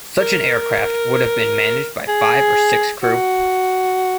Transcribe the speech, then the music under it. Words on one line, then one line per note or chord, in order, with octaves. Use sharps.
Such an aircraft would have been managed by five or six crew.
A#4
G#4
F#4